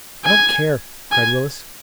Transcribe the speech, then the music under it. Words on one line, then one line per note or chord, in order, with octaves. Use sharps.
"I don't care!" cried Willis.
G#5
G#5